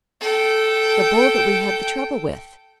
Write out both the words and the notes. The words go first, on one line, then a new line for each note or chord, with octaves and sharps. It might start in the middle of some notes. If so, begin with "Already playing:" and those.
The bull that we had the trouble with.
A4 G5